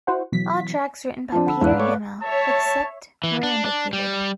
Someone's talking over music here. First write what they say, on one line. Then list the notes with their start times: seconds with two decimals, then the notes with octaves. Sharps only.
All tracks written by Peter Hammill, except where indicated.
0.07 E4 F#4 C5 F#5
0.32 B2 E3 F#3 B6
1.32 F3 C4 D4 A5
1.46 D3 F#5 B5 E6
1.61 E2 G#2 E4 B4 F5 F#6
1.80 A3 C#5 D5
2.23 C#5 E5 A5
3.24 E3
3.43 D4
3.65 D4
3.93 G3